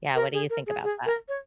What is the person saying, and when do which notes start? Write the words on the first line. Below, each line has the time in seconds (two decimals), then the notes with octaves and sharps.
Yeah, what do you think about that?
0.15 A#4
0.33 G#4
0.50 A#4
0.67 G#4
0.84 G#4
1.06 A#4
1.28 C#5